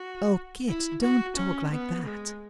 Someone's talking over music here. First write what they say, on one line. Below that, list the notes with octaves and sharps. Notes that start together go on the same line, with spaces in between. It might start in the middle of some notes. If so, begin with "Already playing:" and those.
'Oh, Kit, don't talk like that.'
Already playing: F#4
E4
F#4
C#4
B3
G#3